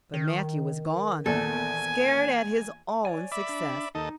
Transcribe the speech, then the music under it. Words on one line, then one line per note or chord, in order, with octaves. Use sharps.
But Matthew was gone, scared at his own success.
D#3
A#1 E2 A4 G#5
C#5 D5 G#5
D5 E5 B5 D6
D4
D#2 D#4 A4 D#5